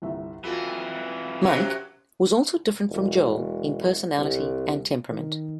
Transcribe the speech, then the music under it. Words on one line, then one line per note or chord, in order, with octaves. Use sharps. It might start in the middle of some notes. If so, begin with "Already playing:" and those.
Mike was also different from Joel in personality and temperament.
G1 C2 E5
F2 E3 B3 F4 F#4 A4
F#2 C3 F#3
E1
C2
D#3